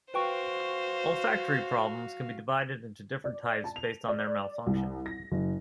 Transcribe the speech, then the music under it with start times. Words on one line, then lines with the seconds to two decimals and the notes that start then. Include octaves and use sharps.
Olfactory problems can be divided into different types based on their malfunction.
0.14 F#4 B4 C5 F5 G5 C#6
3.24 D5
3.64 A5
3.76 F7
4.08 D5
4.66 C2
5.06 A#6
5.32 F#1